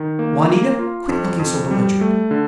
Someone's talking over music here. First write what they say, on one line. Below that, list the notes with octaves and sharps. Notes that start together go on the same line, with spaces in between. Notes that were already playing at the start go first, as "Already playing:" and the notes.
Juanita, quit looking so belligerent.
Already playing: D#3
A#3
A#3
F4
F2
F2
G3
A3
D3